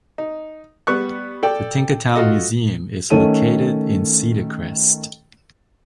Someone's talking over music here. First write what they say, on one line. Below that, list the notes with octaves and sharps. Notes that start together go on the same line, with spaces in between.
The Tinkertown Museum is located in Cedar Crest.
D#4
G3 B3 C#6 F#6
A4 D5 G5
F4 F#4 A4 D#5
D#3 A3 C#4 A4 D#7